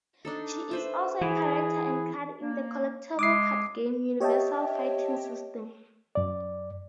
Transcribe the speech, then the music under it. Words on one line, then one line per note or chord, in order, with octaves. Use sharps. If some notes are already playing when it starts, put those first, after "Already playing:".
She is also a character card in the collectible card game "Universal Fighting System".
D4 D#4 A4
B4 C5 E5
E3 G#4
A#3
G#3 D6 D#6 C7
G4 C#5 D#5 E5 G5 A5
F#2 D5